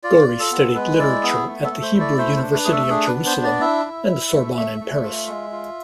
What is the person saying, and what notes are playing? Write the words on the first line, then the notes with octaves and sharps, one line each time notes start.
Gouri studied literature at the Hebrew University of Jerusalem and the Sorbonne in Paris.
F4 D5
F4
A4
B3
G#3 B4
E4 D5
B3 G#4
A3
A4
A3
C5
E4
D5
A3 C5
C5
D4
B4
A3 G#4
A4
D4 G#4
B4
B3
C5
D4
D5
E4 E5
E4
E4
A3
A3
A3
F4
G#3
F4